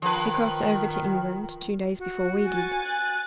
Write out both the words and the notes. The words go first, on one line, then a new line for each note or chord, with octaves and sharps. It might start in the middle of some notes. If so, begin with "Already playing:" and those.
He crossed over to England two days before we did.
D#3 F3 B4
F#4
G#5 A6
F#6